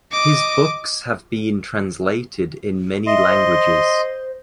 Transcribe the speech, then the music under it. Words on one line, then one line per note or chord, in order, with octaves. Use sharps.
His books have been translated in many languages.
D#5 D6
D#5 E5 C6
C5